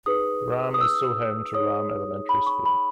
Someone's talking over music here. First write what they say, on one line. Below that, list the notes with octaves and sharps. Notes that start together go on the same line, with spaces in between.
Rhame is still home to Rhame Elementary School.
D#4 G#4 B4 D#6
D#6
E6
D#4 G#4 C#5 D#6
B5
C#6
B5